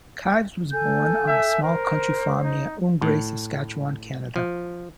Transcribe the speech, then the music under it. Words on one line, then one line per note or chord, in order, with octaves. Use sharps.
Kives was born on a small country farm near Oungre, Saskatchewan, Canada.
A4 G#5 G6
E5
A#4 C5
D#4
A2
F3